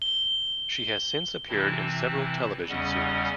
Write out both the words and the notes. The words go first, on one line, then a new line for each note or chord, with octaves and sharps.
She has since appeared in several television series.
G7
C3 E3 C4 E4 A5
E2 C#3 G3 C#4 D#5 F#5